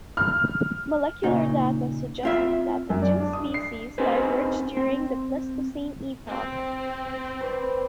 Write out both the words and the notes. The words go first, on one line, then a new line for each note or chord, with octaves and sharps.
Molecular data suggests that the two species diverged during the Pleistocene epoch.
F6
A#2 C#3 D#4
C4 F4 E5
F#2
D5
D4
D#6
C7
C4 C#4 D#4 G#4 B4 C5
C4
C4
B4 C5 D5